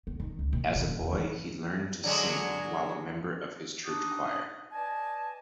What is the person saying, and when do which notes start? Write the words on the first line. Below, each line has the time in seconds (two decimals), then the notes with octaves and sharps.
As a boy, he learned to sing while a member of his church choir.
0.07 B3
0.20 D#3
0.39 C#2
0.53 A#2
0.75 D#3
0.87 A#3
1.00 E2
1.13 E3
2.04 D3 F#3 G#3
3.86 D4 D#4 F#4 D6 D#6
4.73 B4 D5 D#5 G#5 A5